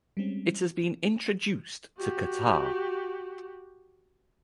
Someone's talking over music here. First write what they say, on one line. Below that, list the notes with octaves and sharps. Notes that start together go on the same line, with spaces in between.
It has been introduced to Qatar.
G3 G#3 C4 C#4
F#4 G4